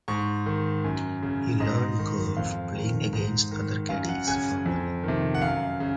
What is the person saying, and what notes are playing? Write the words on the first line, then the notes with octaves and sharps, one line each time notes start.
He learned golf playing against other caddies for money.
G#2 C#6
D#3
F#2
C#3
G#2 D#5
D#3
F2 F5
D#3
G#2
D#3
F#2 F5
F#5
C#3 G#5
F2
C3 D#3
F#5
F#2 F5
C#3